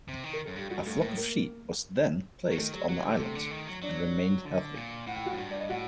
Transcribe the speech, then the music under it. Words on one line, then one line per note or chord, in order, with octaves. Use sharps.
A flock of sheep was then placed on the island and remained healthy.
C3
D#3
A#4
F#2 A4
G2 G4
G2 F#4
G2 A3 A4
A2 A#3 A#4
A#3 A#4
F#3 A#4
D#3 A3 A4
F#3 G4
F#3 F#4
D3 G4
C3 A3 A4
D3
D#3
F#3
F#3 D4 D5
D3
A#2
A2 F#5
G5
F#4 F#5
F#2
G2
D5
D#5
A2 F#4 F#5